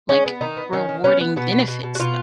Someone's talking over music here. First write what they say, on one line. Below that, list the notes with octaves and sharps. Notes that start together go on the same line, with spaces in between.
like, rewarding benefits though.
G#3 C#4
B3
D#3 D#4
B3
D#3 C#4
D#3
B3 C#4
B3
B2 B3
B2
B2
B2
F#4
B2 F4